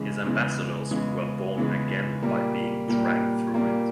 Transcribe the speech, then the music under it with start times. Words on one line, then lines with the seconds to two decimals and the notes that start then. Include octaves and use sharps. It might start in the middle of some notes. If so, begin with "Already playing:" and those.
His ambassadors were born again by being dragged through it.
Already playing: E2 C#3 E3 G#3
0.25 E2 C#3 E3 G#3
0.91 E2 C#3 E3 G#3
1.56 E2 C#3 E3 G#3
2.22 A#2 G3 A#3
2.88 A#2 G3 A#3
3.54 A#2 G3 A#3